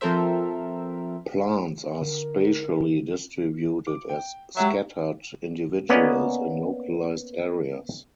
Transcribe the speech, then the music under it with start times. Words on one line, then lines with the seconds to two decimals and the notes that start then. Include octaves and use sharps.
Plants are spatially distributed as scattered individuals in localised areas.
0.01 F3 C4 A4 A#4 C5 E5
2.01 D3 A#4
3.87 D6
4.09 G5
4.57 F#3 G#3 G4 E5 C#6
5.89 A#3 B3 C#4 D5 D#5